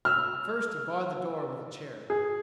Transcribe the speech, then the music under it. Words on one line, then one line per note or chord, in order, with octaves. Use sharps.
But first he barred the door with a chair.
E6 F6
G#4